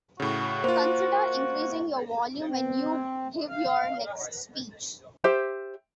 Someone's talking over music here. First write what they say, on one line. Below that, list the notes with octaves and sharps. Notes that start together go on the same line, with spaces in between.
Consider increasing your volume when you give your next speech.
A2 C#3 F#4
A#3 F4 C5
C4
F5
G4 C5 E5